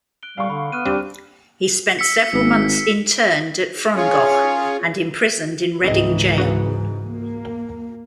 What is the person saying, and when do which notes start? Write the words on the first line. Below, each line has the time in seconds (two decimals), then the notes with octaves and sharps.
He spent several months interned at Frongoch and imprisoned in Reading Jail.
0.23 F#6 D7 G7
0.37 G3 F5 C#6
0.49 D3 B5
0.72 B3 F6 F#6 D#7
0.85 G3 C4 D4 G4 D#7
1.99 E6 B6 C#7
2.33 G#1
3.96 C#4 F4 G#4 C#5
5.84 C#2 G#2 E3 C4 G#4 D#5
6.38 F#4 B4 F#5
7.05 A#3